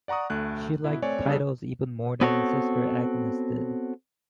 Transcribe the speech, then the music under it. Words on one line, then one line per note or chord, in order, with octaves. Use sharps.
She liked titles even more than Sister Agnes did.
D5 F#5 A#5 C#6 D#6
D2 A3 F#6
B2 E4
A3 C4 C#5 D5 G#5
C#3 G3 B3 D4 G#4 A4
B3 C4 F#4 A4 C#5